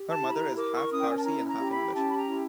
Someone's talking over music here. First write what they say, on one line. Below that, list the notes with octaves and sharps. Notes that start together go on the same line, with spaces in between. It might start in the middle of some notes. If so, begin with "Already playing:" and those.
Her mother is half-Parsi and half-English.
Already playing: G4
A5
E4
B5
A#5
A#4 D6
C#6
C#4 D#6
G5
G#5
A5
E4 A#5
A#5
G4
B5
C#4 A5
B5
A#5
E4